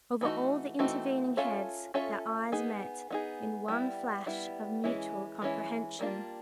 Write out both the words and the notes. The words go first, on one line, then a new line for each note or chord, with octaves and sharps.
Over all the intervening heads their eyes met in one flash of mutual comprehension!
E3 A3 C4 D#4 F#4
E3 A3 C4 D#4 F#4
C#4 F4 A4 C#5 E5
C#4 F4 A4 C#5 E5
B3 D#4 G#4
B3 D#4 G#4
G3 B3 E4
G3 B3 E4
E3 G#3 C#4 E4
E3 G#3 C#4 E4
G3 A#3 D4 F4